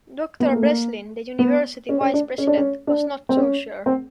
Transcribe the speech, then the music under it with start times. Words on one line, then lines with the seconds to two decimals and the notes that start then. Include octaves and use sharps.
Doctor Breslin, the university vice president, was not so sure.
0.40 B3
0.48 A#3
0.56 A3
0.62 A#3
1.39 B3
1.89 C#4
2.01 C#4
2.14 D4
2.38 C#4
2.47 D4
2.57 C#4
2.87 D4
3.29 C4
3.37 C#4
3.86 C4